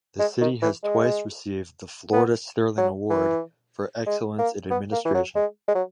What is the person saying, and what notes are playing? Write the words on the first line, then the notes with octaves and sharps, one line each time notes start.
The city has twice received the Florida Sterling Award for excellence in administration.
G#3
D#3
E3
G#3
B3
F#3
E3
G#3
A#3
B3
A#3
E3
F#3
G#3
G#3
F#3